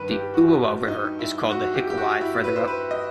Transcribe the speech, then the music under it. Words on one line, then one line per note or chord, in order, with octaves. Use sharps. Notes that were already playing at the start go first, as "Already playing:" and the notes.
The Uawa River is called the Hikuwai further up.
Already playing: G2 D#3 B4
G4
F#4
D#4
E4
F#4
G4
G4
F#4
E4
B4
C5
B4
D#5